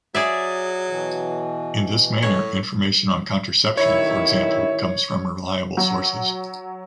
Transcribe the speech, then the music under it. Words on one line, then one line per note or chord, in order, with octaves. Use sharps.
In this manner, information on contraception, for example, comes from reliable sources.
F#3 G#4 D5 E5
B2 E3
A2 C#5
A1 D#3 E4 C#5
F#3